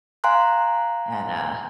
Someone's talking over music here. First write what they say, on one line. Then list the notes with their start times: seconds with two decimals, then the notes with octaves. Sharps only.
and, uh,
0.24 F5 G#5 A#5 C6 F#6